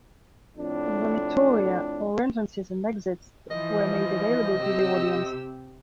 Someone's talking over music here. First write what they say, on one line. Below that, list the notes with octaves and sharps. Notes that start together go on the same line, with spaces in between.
"Vomitoria" or entrances and exits were made available to the audience.
F2 A2 D4
E3 F3 D#5
C3 G4 E6